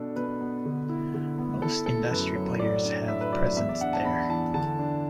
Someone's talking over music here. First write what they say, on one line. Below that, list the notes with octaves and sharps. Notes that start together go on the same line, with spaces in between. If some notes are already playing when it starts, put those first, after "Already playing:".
Most industry players have presence there.
Already playing: B2 D4 A4
B2 B4
B3
D3
E4
D3
B3
E4 A4
A3 A4
F#2 B4
F#3
A2 D5
D4
A2 E5
B4
F#3 D5
E2 E5
D5
D4 F#5
A5
E2 B5
E3 A5
D3 A5
D4